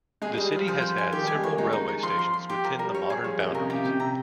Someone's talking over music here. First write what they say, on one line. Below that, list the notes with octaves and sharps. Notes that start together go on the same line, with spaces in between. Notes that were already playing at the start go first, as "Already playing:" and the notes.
The city has had several railway stations within the modern boundaries.
G#3 G#4
G3
D#5
F3 G#4
F3 C5
C5
G#5
D#3 G4
G3
G#5
G#3
A#3 C#5
G#3 D#4
D#4
D#4
F3 C6
C6
C6
G4
F3 A#4
G3 A#4
G3 C#5
G3 G#4
F3 C#5
A#2 D#5
C3
A#4
C#3
C3 G4
C3 G5
C3 A#5